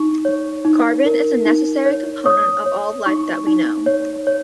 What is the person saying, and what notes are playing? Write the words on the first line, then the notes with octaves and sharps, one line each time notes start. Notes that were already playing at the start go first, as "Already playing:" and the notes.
Carbon is a necessary component of all life that we know.
Already playing: D#4 C#6
C#5
D#4
A#4
D#4
C#5
C#5 D#6
C#5
D#4 C#6
D#4
C#5
C#5